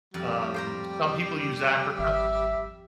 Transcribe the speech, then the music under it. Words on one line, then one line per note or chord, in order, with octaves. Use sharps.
Um, some people use apricot
F2 G3
C5 G5 A#5
G#1 E5